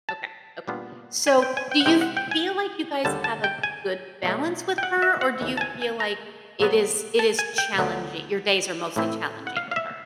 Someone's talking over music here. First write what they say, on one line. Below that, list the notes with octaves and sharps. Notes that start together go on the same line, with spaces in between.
Okay, okay. So, do you feel like you guys have a good balance with her? Or do you feel like it is it is challengi your days are mostly challenging with her?
A5
A#2 G3 B3 D4 F4
G#5
G5
G#5
G5
F#5
C3 E3 G#3 G5
F#5
G5
G#5
D#2 D3 G3 A5
A5
G5
G#5
B2 F#3 A3
G5
F#5
E5
F#5
D#2 C#3 E3
A5
G#5
G#5
A#5
A#2 F#3 B3
A5
G#5
G5
D2 D3 F#3 B3
A2 E3 A3 C4 E4
F#5
F5
F5
E5